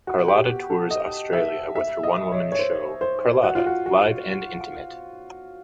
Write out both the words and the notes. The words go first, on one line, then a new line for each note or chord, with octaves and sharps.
Carlotta tours Australia with her one-woman show "Carlotta: Live and Intimate".
F#4
G4
A4
D#5
E5
E5
D#5
C#5
C#5
C5
C5
F#4
F4
F#4
F#4